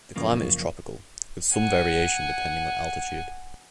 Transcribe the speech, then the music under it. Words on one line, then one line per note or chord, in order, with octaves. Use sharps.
The climate is tropical, with some variation depending on altitude.
F#2 C#3 F3 A#3
F#5 G#5